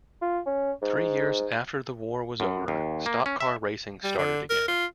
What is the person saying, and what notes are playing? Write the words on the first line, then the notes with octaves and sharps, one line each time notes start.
Three years after the war was over stock car racing started again.
F4
C#4
G#2
F#2
D#2
A#3
C#4
E5
G3
D3
A#4
F4